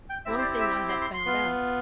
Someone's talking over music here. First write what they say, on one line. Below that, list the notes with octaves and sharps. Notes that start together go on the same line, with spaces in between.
One thing I have found out.
G5
C4 E4 G4 E5
C5
D5
E5
G5
C6
C6
C6
B3 F4